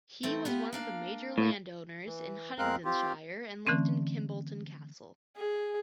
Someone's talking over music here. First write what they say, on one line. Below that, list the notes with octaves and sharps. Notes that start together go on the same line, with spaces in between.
He was one of the major landowners in Huntingdonshire and lived at Kimbolton Castle.
E3 A3 C4
B3 F4 G4
A#3 D4 F5
A2
E3
F2 G#3 C4 A#4 F5 F#6
C4 F4 G4
D3 E3 A3 C4 C#4
G#4